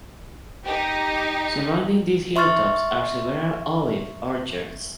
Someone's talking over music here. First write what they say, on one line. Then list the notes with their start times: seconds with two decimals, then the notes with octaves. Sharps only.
Surrounding these hilltops are several olive orchards.
0.65 D#4 G4
2.36 E5 C6 C#6 F6 A6